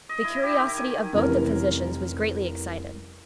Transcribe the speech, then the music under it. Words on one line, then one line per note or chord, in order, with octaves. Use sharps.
The curiosity of both the physicians was greatly excited.
D#5
E4
G4
D#3
G#5
F1 E3 G3 C#4 A#4